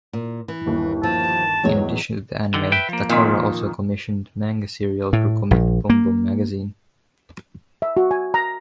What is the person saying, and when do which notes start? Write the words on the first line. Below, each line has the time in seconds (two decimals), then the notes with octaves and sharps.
In addition to the anime, Takara also commissioned manga serial for Comic BomBom magazine.
0.13 A#2
0.48 E3
0.66 G1 D#2
1.03 F3 A5
1.64 A1 E2 G#2 F#3 C#5
2.54 D3 D#3
2.72 B4 E5 G5
2.89 F3 A#3
3.09 F2 A#2 D#3
5.13 A2
5.51 A#1
5.90 A#3
7.82 E5
7.97 F#4
8.11 G#5
8.34 A#5